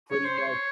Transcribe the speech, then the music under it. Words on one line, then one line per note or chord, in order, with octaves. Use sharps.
Pretty much
C#5
C5
C#5